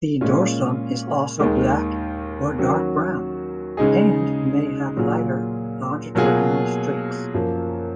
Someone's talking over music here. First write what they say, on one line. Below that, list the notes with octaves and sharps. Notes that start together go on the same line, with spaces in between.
The dorsum is also black or dark brown, and may have lighter longitudinal streaks.
A#2 G#3 C#4 F4
D#2 D#3 G#3
D#3 F#3 C#4 F#4
C#3 G#3 D#4 G#4
A#2 F#3 A#3 F4 G#4
B2 F#3 A#3 F4 G#4
F#2 F3 A#3